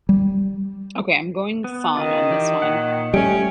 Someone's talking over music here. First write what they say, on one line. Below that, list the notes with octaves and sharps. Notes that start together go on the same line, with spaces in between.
Okay, I'm going song on this one,
G3
B3
D#3 F4 D#5
E3 G4
A#2 C#5 F#5
G3 A3 C#4 G5